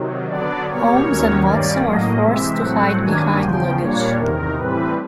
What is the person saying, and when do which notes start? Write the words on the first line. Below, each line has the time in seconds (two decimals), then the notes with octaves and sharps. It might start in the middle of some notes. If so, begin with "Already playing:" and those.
Holmes and Watson are forced to hide behind luggage.
Already playing: C3 D#3 F#3
0.27 D3 F#3 B3 D4 D5
0.67 B2 G3 A#3 C#5
1.06 D#2 D#3 F#3 A#3 C#4
1.44 G2 D#3 G3 A#3 C#4 D5
1.83 A2 F#3 A#3 D#5
2.22 C3 E3 G#3 C4 E5
2.61 A2 F#3 A3 C4 F#5
3.00 G2 D#3 F#3 A#3 D4 G#5
3.40 E2 C#3 F3 G5
3.78 A#2 G3 A#3 D4 C#5
4.17 E2 C3 D#3 A#4
4.56 A2 E3 G3 C4 B4